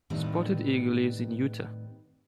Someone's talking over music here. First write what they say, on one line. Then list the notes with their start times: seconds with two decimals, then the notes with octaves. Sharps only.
Spotted Eagle lives in Utah.
0.10 A2 D#3 G3 B3 C4 D4